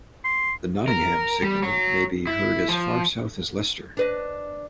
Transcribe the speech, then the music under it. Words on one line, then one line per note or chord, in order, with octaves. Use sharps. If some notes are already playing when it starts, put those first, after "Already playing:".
The Nottingham signal may be heard as far south as Leicester.
C6
A#4
G3
F#3
E4
F3
D4 B4 D#5